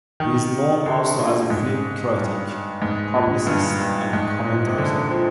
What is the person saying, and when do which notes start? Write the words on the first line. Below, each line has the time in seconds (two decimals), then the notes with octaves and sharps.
He is known also as a film critic, publicist and commentator.
0.20 D#3
0.86 D3
1.18 A#2
1.50 G#2
2.17 G2
2.82 G#2
3.15 A#2
3.47 G2
3.80 G2
4.13 G#2
4.45 A#2
4.67 C3
4.78 D3
5.11 F3